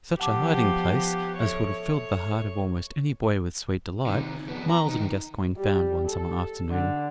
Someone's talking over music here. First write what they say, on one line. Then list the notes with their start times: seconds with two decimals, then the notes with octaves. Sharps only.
Such a hiding-place as would have filled the heart of almost any boy with sweet delight Myles and Gascoyne found one summer afternoon.
0.20 F3 B3 G4 F#5 A5 D6
1.39 A4 C#5 E5
4.06 C3 D#3
4.47 F2 B3
4.69 A#5
4.86 E3 D#4
5.57 G3
6.07 A4
6.70 D3